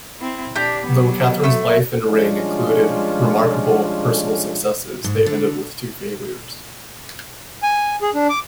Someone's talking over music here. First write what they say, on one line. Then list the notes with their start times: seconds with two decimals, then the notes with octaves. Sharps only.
Though Catherine's life and reign included remarkable personal successes, they ended with two failures.
0.19 C4 E4
0.56 D4 G4 G6
0.86 F#3 B3
1.44 A3 E6
2.07 F3 G3 G#3 C#4 D4 F4
5.04 G#2
5.26 D3
7.63 G#5
8.02 G#4
8.14 D4
8.29 D6